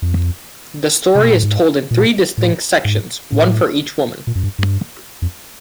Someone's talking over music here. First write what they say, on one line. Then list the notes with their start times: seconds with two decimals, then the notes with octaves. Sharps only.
The story is told in three distinct sections, one for each woman.
0.02 F2
1.15 C3
1.22 B2
1.29 A#2
1.36 A2
1.44 G#2
1.91 A#2
2.38 A2
2.85 G#2
3.32 A2
4.27 A#2
4.35 F#2
4.44 G2
4.59 G2
5.22 F2